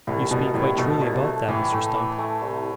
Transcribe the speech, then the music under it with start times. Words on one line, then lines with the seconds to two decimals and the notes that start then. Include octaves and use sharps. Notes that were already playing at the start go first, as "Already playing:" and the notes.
You speak quite truly about that, Mr Stump.
0.07 C2 A2
0.31 C2 B2
0.54 C2 A2
0.78 B2 A3
1.02 C2
1.24 A3
1.48 A2 E3
1.72 A3
1.95 E3
2.19 A3
2.42 C2